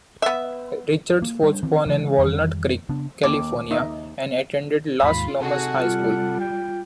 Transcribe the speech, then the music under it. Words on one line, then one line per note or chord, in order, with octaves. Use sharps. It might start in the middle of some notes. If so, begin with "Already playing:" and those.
Richards was born in Walnut Creek, California and attended Las Lomas High School.
B3 E5
A#3
G3 D4
D#3 E3 C4
C#3 E3 F#3 G#3
F2 D#3 E3 G3
C#3 B3 D4
D#2 D6
D#4 D#5 E5
D#2 G#2 F4 B5
C3 D#4 F#4 G#4 A4 F#5
G3 F4
G5